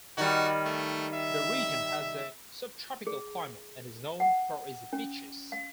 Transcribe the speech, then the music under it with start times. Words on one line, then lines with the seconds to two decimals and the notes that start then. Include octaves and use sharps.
The region has a subtropical climate and is known for its beaches.
0.18 D#3 G3 F#4
0.66 A3
1.14 E5
3.07 G#4
4.20 F#5
4.93 C#4
5.52 F5